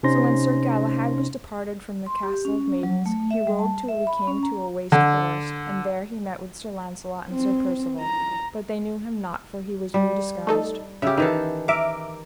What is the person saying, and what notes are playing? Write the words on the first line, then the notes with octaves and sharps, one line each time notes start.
So when Sir Galahad was departed from the Castle of Maidens he rode till he came to a waste forest, and there he met with Sir Launcelot and Sir Percivale, but they knew him not, for he was new disguised.
C3 C#4 D#4 C5 C6 A#6
C6
G4
C#4
F#3
A3
E5
G3
A5
E5
B5
C#4
A#5
D3
C4
A#5
G3
A3 D#4 A4
C#3 G4 E5
D#3 E3 A4
A#4 E5 D6